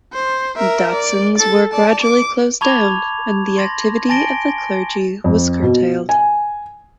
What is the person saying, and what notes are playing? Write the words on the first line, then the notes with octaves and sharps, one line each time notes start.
Datsans were gradually closed down and the activity of the clergy was curtailed.
C5
A#4 E5
D5
A4 A6
D5 A5
D6
A5 B5 C#6 D6 G#6 F7
C6 A6 A#6
G#5 A5 A6 A#6 D7 G7
F2
B2
G#5